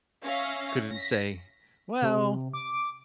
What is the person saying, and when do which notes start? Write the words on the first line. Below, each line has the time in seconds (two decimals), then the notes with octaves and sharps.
you couldn't say, "Well,
0.24 C#4 E5 F5 A#6
0.95 A#6 B6
2.02 C3
2.53 D6